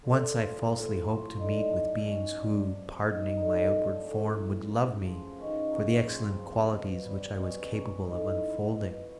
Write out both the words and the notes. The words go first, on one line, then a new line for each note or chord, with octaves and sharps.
Once I falsely hoped to meet with beings who, pardoning my outward form, would love me for the excellent qualities which I was capable of unfolding.
D3 F4
F3 G4
A2 F4
F#3 F4
F#4
F4
D3 D#4
D4
D#4
F#3 D4
D#3 C#4
F#3 D4
C3
D#3
D3 D#4
F3 D4
A2 C#4
F#3
C#3
F3
D#3 C#4
F#3 C#4
C#3 C4
F3
B2
G3
B2 C#4
F#3 C#4
A2 D#4
F3 E4
B2